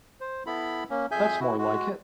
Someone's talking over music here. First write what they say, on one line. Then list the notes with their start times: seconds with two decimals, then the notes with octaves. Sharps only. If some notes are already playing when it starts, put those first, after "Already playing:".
That's more like it.
0.20 C5
0.47 B3 E4 A4 B5
0.90 A#3 C#4
1.11 F2 G#4 E5 G#5 G6
1.40 E4 F#4
1.58 G#3 F#4